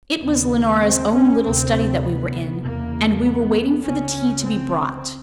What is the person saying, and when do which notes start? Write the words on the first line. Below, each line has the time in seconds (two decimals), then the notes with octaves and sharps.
It was Leonora's own little study that we were in and we were waiting for the tea to be brought.
0.21 D#2 C#3 B3
0.82 C4
1.12 C#4
1.42 D2 C3 C4
2.02 B3
2.63 E2 C#3 A#3
3.24 B3
3.83 C#2 C#3 C#4
4.44 C4